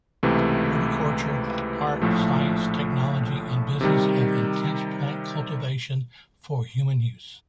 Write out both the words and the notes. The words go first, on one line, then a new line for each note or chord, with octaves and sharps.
Horticulture - art, science, technology and business of intensive plant cultivation for human use.
C#2 C3 E3 A3
A#1 A2 F3 A3
C3 D#3 G3